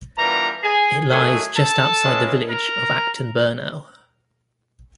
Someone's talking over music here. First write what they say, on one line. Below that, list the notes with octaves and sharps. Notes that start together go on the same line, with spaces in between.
It lies just outside the village of Acton Burnell.
E3 G3 B3 D4 F4 A#4 A#5
G#4 G#5
D#3 F#3 A3 C#4 E4 G#4 G#5
A4 A5
B2 G#3 C#4 E4
A#4 A#5